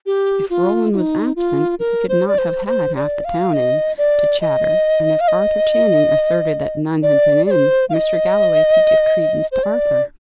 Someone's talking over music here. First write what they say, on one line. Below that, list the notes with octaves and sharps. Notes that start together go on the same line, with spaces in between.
If Roland was absent, he could not have had half the town in, to chatter; and if Arthur Channing asserted that none had been in, Mr. Galloway could give credence to Arthur.
G4
F4
F4
D#4
F4
A#4
C5
D5
C5
C5
D5
F5
D#5
D5
D#5
F5
D#5
D5
D5
C5
F5
D#5
C5
D5